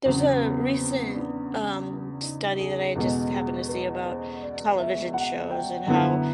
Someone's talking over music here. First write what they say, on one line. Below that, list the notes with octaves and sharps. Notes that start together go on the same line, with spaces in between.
There's a recent, um, study that I just happened to see about television shows and how,
E2 C#3 F#3 C4
B3
C4
D4
D#4
G#4
E2 B2 G#3 A4
G#4
B4
C5
D5
E5
F#5
G5
F#2 D3 F#3 B3 E4 F#5